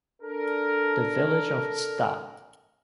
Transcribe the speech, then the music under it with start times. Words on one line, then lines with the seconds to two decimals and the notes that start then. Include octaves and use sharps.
The village of Sta.
0.22 D4 A4 A#4